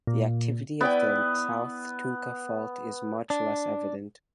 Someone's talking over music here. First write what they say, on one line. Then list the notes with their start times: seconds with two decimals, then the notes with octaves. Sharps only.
The activity of the South-Tunka fault is much less evident.
0.07 A#2
0.81 B3 E4 D5 G5
3.30 D4